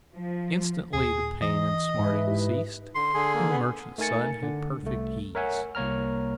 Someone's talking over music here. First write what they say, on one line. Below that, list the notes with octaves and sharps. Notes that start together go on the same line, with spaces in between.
Instantly the pain and smarting ceased, and the merchant's son had perfect ease.
F3
D#2 A#2 G#4
E3 D#5
G#2 B4 E5
D#4 E4 G4
D3 C6
D3 G#4
A#3
B3
A3 D#4 A#4 G#5 A6 C#7
D3
C2 A3
A#4 C#5 E5 F#5 G#5
C2 A#3 C#5 A#5 F6